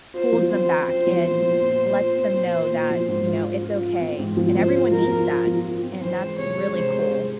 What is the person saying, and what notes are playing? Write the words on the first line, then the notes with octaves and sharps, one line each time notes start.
pulls them back and lets them know that, you know, it's okay, and everyone needs that, and that's really cool.
F4 C5
F3
C4 C5
C4
F4 C5
F3
A#2
F3
A#2
A#2
F4
C4
A#2
F4
A#2
F3
G#2
F4
F4
F4
F4
C4
G#2
F3
F3 C5
F4
F3 A#4
F3
F4
F3
F4
C4
E3 C5
G#3
C3 C#5
G#3
C3 C5
G#3
C3